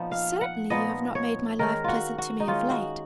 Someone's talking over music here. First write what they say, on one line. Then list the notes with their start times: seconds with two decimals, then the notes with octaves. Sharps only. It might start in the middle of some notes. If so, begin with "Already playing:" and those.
Certainly you have not made my life pleasant to me of late.
Already playing: A#2 F3 B3 D#4
0.11 F5
0.41 F#5
0.70 A#2 F3 B3 D#4 D#5
1.15 C#5
1.59 D#3 G#3 C#4 A#4
1.84 F4 F#4
2.18 F#4
2.40 D#4
2.48 D#3 G#3 C#4 F4
2.70 F#4